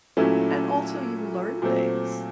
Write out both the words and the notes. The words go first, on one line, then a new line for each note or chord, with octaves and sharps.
and also you learn things.
A#2 F#3 A3 C#4 E4
A#2 F#3 A3 C4